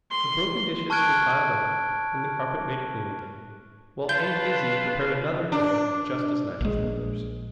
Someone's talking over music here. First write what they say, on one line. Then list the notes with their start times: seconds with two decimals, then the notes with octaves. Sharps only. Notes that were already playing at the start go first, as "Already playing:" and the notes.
The broken dishes were piled up and the carpet made clean again, while Aunt Izzie prepared another tray just as nice as the first.
0.11 C6
0.90 A5 C#6 F6 F#6 G#6 D7
4.09 F4 B4 A5 G6 G7
5.52 D4
6.61 A#1 G#3